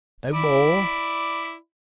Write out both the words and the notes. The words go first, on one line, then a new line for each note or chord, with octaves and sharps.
No more?
E4 D5 B5